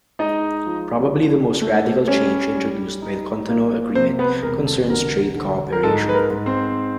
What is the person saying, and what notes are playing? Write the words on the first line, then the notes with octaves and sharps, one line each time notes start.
Probably the most radical change introduced by the Cotonou Agreement concerns trade cooperation.
G#3 D#4 D#5
F3
D4
A3
G3 C#4 C#5
G3
D#4
A#3
C3 C4 C5
B3 B4
E1 A#4
A4
D3 A#4
D3
A#4
G#2 A4
B4
A#4
G#2
C4 C5